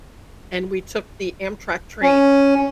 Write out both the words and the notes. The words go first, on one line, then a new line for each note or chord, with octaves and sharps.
and we took the Amtrak train,
C#4